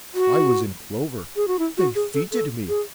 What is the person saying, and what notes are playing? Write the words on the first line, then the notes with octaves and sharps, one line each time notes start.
I was in clover. They fêted me.
F#4
G#4
F#4
E4
F#4
G#4
A4
A4
G#4